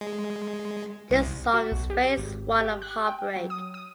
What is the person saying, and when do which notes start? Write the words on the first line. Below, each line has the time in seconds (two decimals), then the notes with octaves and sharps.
This song is phase one of heartbreak.
0.01 G#3
1.10 C2
1.54 F#4
1.72 B1
1.90 G4
2.18 G#1
2.60 G4
2.82 F#6
3.07 G5
3.36 F#3
3.50 D#6
3.74 D#6